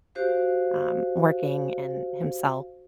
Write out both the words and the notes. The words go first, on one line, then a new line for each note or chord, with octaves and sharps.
um, working and himself.
F#4 G4 C5 F5